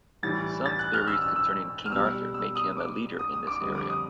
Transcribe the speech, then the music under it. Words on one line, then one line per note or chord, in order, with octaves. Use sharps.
Some theories concerning King Arthur make him a leader in this area.
A2 E3 G3 A6
A6
F#6
F6
E6
E6
E6
F6
B2 G3 E6
E6
D#6
D6
D#6
D#6
D6
F2 D3 G3 D#6
D6
D#6